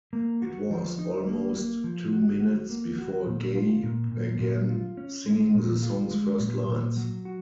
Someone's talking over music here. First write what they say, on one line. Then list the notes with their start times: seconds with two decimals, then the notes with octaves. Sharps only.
It was almost two minutes before Gaye began singing the song's first lines.
0.13 A#3
0.42 F#4
0.70 F3
0.99 D#4
1.27 A#3
1.55 A#3
1.84 F3
2.13 F#4
2.41 F#4
2.70 A#3
2.98 F#4
3.26 A#2
3.55 F4
3.83 A#2
4.12 A#2
4.40 A#2
4.69 F4
4.97 C#4
5.26 G#3
5.54 A#2
5.83 F4
6.11 G#3
6.39 A#2
6.68 A#2
6.97 F#3
7.25 F#4